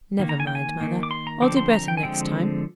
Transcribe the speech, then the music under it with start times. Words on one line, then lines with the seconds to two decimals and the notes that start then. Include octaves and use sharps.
'Never mind, Mother; I'll do better next time.'
0.19 D#3 A#3
0.29 A#5
0.40 G#5
0.47 G5
0.55 G#5
0.81 D#3 A#3
1.03 D6
1.11 C6
1.27 A#5
1.42 D3 F3 C4 D6
1.57 C6
1.72 A#5
1.88 G5
1.97 G#5
2.03 D3 F3 G#3 C4 G5